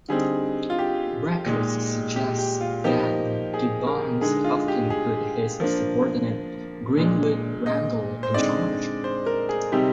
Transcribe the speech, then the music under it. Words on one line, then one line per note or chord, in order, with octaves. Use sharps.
Records suggest that Gibbons often put his subordinate Greenwood Randall in charge.
D3 G3 C4 D#4 G#4
F4
G4
A#2 G#3 D#4
G4
G4
F4
F3 A#3 D#4 G4
G#4
A#4
D3 G#3 D#4 G#4
F4
G4
G#4
F3 A#3 D4
A#2 G#3 D4
D#5
C5
D3 G#3 C4 D#4 D5
C5
A#4
G#4
C3 G3 C4 D#4 G4